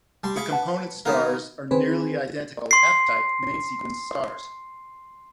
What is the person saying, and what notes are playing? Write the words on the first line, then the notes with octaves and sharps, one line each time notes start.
The component stars are nearly identical F-type main-sequence stars.
G3 A5 C6
G#4 F5 B5 C#6 D6
B4 F#5 A5
D#3 B3 A#4 B4 D5 F5
D#3 C4 G#4 B4
C6 C7